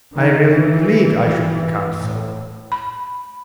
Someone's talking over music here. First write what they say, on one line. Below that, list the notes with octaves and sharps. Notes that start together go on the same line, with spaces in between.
I really believed I should become so.
D#3
E3
E3
A2
B5